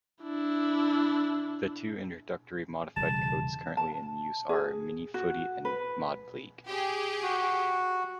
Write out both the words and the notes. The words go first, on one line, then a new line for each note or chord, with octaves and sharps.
The two introductory modified codes currently in use are "mini footy" and "mod league".
D4 E4
E1 C#3 G3 A5
A5
G#4
F#4
B4
G4 G#4
F#4